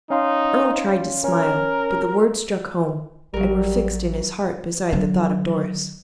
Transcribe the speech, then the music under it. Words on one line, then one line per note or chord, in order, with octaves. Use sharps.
Earle tried to smile, but the words struck home, and were fixed in his heart beside the thought of Doris.
C#4 D#4 F5 C6
C#4 A#4
A1 F#3 G3 A#4
D3 F#3